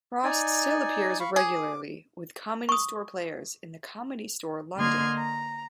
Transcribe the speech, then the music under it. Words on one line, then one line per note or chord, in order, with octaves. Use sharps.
Frost still appears regularly with Comedy Store Players in The Comedy Store, London.
D#4 D5 G#5
F5 B5 C#6
G#4 D6
C#6 D#6
D3 A#3 D#5 C6 F6 G#6
A#5